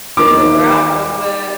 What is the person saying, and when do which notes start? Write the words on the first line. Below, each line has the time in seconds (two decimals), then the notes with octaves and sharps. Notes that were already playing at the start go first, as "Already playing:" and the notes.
to feel her out a little bit,
0.17 D#2 D#3 A#3 D6